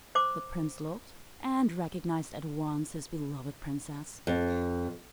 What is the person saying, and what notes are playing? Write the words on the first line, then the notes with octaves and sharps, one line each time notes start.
The prince looked, and recognised at once his beloved princess.
C5 D6
F2